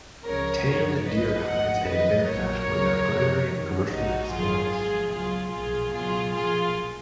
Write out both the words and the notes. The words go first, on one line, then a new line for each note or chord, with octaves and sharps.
Tanned deer hides and bear fat were their primary commercial exports.
C#2 C#3 F3 A#4 C#5
F#2 F3 A#4 C#5
A#1 A#2 F#3 B4 D#5
G#1 G#2 F3 D#5 F#5
F2 D#3 F#3 B4 D#5
A#1 A#2 F#3 A#4 C#5
C#2 C#3 F#3
F#2 F3
F2 D#3 F#3
A#1 G#2 F3 D#4 F#4
G#1 F#2 D#3 F#3 F4 G#4
G#1 G#2 F3 F4 G#4
C#2 B2 F#3 F4 G#4
B1 A#2 F3 F4 G#4
C#2 B2 F#3 F4 G#4
B1 A#2 F3 F4 G#4